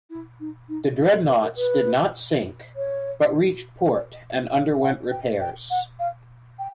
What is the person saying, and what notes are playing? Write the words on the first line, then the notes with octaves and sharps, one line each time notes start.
The dreadnoughts did not sink, but reached port and underwent repairs.
E4
D#4
D#4
E4
A4
B4
A#4
B4
C#5
D5
D#5
E5
F5
F#5
G5
G5
F#5
F5
G5